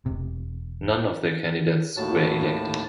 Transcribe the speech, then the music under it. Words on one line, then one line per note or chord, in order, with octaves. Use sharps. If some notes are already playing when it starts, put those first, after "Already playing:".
None of their candidates were elected.
E1 C3
D#2 A2 F#3 A5